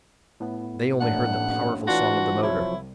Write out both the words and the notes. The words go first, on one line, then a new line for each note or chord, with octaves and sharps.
They only heard the powerful song of the motor.
A2 B3
A1 F2 A2 A#3 D4 F#5
E3 D4 F4 F#4
C2 F3 F#3 E4 C#5